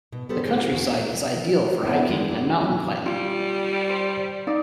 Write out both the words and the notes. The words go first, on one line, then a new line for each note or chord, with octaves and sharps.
The countryside is ideal for hiking and mountain climbing.
B2
B3 G4 A4 C5
D3 A#3 G#4 C5
F4
E2 F#4 G#5
B3 C4 E4 G4
D#3 G#3 B4
A#3 D4 D#4
F#3 F#4 G4
G3 F4
C5
D#4 D5 F5